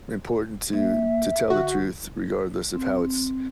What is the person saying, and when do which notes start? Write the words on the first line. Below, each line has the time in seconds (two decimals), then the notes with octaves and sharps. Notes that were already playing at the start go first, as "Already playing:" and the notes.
important to to tell the truth regardless of how it's
0.73 A#3 E5
1.50 D3 F#4
2.74 C4